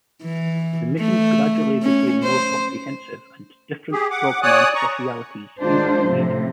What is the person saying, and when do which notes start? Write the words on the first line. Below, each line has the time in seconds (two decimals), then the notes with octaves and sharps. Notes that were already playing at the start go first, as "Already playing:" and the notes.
The missions gradually become more comprehensive and different frogman specialities emerged.
0.23 E3
1.00 A3
1.83 C#4
2.23 C5
3.92 G4 G#4
4.11 F#5 D6
4.43 C#5 D5 G#5 D#6 F#6
4.75 A#5 C#6
5.60 D#3 G#3 D4 F4 C5
6.06 A2 C3 F3